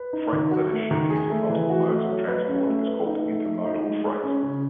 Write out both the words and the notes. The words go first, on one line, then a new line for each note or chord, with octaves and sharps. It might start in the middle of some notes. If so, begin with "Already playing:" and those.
Freight that is shipped using multiple modes of transport is called intermodal freight.
Already playing: B4
D#4
D#3
F#4
A3
D#3
G#4
A3
E3
F#4
A3
F#3
B4
C#4
A3
B4
D#4
A3
A3
D#4
G#3
G#4
C#4
C#3